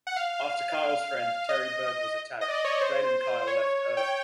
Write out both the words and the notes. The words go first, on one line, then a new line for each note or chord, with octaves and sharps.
After Kyle's friend, Terry Berg, was attacked, Jade and Kyle left Earth.
F#5
F5
D#5
D#5
D5
C#5
C5
C#5
C#5
G5